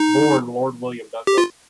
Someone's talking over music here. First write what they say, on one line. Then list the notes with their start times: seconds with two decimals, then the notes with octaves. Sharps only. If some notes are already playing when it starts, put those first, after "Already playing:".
Born Lord William Douglas.
Already playing: D#4
1.27 G4
1.38 F4